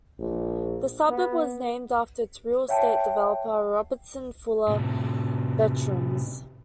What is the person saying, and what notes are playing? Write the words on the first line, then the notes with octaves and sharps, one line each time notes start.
The suburb was named after its real estate developer Robertson Fuller Bertrams.
A#1
B3
C#5 E5 F#5 G5 A5
A2 C3